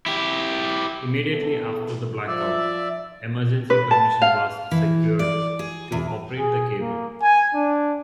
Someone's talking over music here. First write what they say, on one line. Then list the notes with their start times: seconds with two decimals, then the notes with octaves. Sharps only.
Immediately after the blackout, emergency permission was secured to operate the cable.
0.06 E4 G4
1.32 E2 B3 A4
2.27 F3 D5 E5
3.70 B4
3.91 A5
4.22 F5
4.71 E3
5.19 D5
5.59 G#4
5.92 E2
6.38 G#4
6.80 A#3
7.22 G#5
7.55 D4